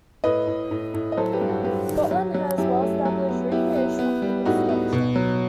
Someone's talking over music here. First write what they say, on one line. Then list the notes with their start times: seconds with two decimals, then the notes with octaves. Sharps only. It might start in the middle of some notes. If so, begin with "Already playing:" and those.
Scotland has a well established recreational cricket structure.
0.24 A2 B4 D#5
0.47 A2
0.71 A2
0.94 A2
1.12 D#5
1.17 F#3 A4 C5
1.33 G4 B4
1.41 G2
1.49 F#4 A4
1.64 G2 G4 B4
1.88 D#3
2.11 F#3
2.35 F#3
2.58 F#2 E4 G4
2.81 A3
3.05 F#3
3.29 B3
3.52 B3 E4 G4
3.76 B3
3.99 B3
4.22 G3
4.45 A2 D#4 F#4
4.69 B3
4.93 B2
5.16 F#3